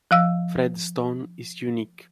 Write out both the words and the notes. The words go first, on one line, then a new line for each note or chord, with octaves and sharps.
Fred Stone is unique.
F3 F5 E6